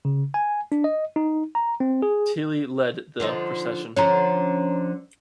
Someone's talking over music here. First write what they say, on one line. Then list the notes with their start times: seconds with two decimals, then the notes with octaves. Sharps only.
Tillie led the procession.
0.05 C#3
0.34 G#5
0.72 D4
0.84 D#5
1.16 D#4
1.55 A#5
1.80 C4
2.02 G#4
3.20 D3 F3 D#4
3.96 D3 F3 C#4 C#5 A#5